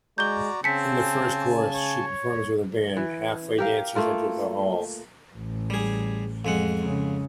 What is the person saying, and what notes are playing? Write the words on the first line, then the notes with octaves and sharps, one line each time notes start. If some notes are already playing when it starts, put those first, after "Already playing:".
In the first chorus, she performs with a band; halfway dancers enter the hall.
G#3 F#4 D5 A#5 G6 G7
C#3 C4 G#5 A5 B6 C#7
C#5
E3
G4 A#4 F5
A3 A#3 F4 A#4
A1
G3 G#4
F2 G#3 F#5
C#3